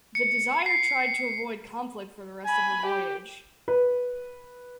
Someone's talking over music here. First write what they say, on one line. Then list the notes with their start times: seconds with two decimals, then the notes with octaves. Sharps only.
The "Desire" tried to avoid conflict for the rest of her voyage.
0.15 C#7
0.66 C7
2.46 G#5 B5
2.86 G4
3.68 B4